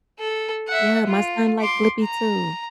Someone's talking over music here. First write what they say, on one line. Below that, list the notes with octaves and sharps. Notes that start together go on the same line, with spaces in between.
Yeah, my son like Blippi too.
A4
E5 F#5
F4
C6 D6
A#5